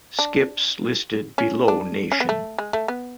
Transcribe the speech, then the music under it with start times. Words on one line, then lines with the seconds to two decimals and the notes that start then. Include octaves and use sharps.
Skips listed below nation.
0.19 D4
1.38 C#4
1.68 D4
2.12 C#4
2.20 B3
2.29 A3
2.58 G#3
2.73 A3
2.88 B3